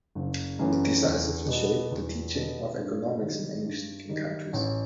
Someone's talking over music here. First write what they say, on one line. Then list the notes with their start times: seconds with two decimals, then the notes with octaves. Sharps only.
It decisively shaped the teaching of economics in English-speaking countries.
0.15 F#1
0.59 F#2 E3 A3
1.04 E2
1.47 B2 G3 B3
1.91 E2
2.35 B2 G3 B3
2.78 G2
3.22 D#3 G3
3.65 G2
4.09 D#3 G3
4.53 A1